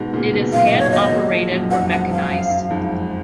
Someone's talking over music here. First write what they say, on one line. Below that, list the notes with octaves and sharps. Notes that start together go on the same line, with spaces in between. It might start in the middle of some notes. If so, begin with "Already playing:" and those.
It is hand operated or mechanized.
Already playing: G#2 B2
A#2 C#3
G#2 B2
F#2 A#2 F5
D#5
G#2 B2
C#5
B2 D#3 D#5
F#3 A#3
F3 G#3
F#2 A#2
F2 G#2 F#5
F#2 F#5
F2 F5
F#2
F#2
F2 G#2